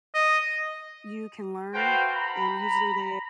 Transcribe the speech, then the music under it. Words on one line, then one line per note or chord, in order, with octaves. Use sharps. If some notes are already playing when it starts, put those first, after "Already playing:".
You can learn, and usually they
D#5
F#4 A4 B4 C5 F5 G5
A#5 B5